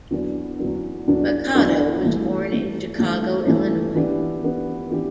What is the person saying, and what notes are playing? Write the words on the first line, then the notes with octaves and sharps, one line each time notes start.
Machado was born in Chicago, Illinois.
E2 D3 F#3 B3 D4
E2 D3 F#3 B3 D4
E2 D3 F#3 B3 D4
E2 D3 F#3 B3 D4
G2 E3 A3
G2 E3 A3
G2 E3 A3
G2 E3 A3
E3 B3 D4 G4
E3 B3 D4 G4
E3 B3 D4 G4